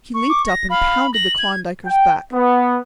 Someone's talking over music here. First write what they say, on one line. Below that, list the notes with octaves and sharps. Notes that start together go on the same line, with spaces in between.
He leaped up and pounded the Klondiker's back.
C#6
D6
A#6
F5 B5
A#6 F#7
G#6
G5
B3